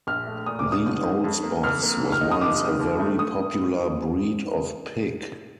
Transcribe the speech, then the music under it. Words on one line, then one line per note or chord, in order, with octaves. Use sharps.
The Old Spots was once a very popular breed of pig.
A#1 F6
A3
A#2 D#6
D6
A#1
D#6
G1
D#3
F2
A#3
F2 F6
A#3
D#3
F6
D#4
D#6
F1 D6
D#3
D#2
A3
D#6